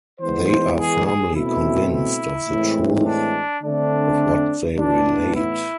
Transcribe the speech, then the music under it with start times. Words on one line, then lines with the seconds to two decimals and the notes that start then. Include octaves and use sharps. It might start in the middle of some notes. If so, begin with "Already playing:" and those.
They are firmly convinced of the truth of what they relate.
0.20 E3 G#3 B3 C5
0.78 G#4
1.06 G#4
1.34 B2 A3 C4 E4
1.91 E4
2.49 A2 E3 G#3 C4
3.06 D4
3.63 D3 A3 C4 D4
4.77 A2 E3 B3 D4
5.34 E4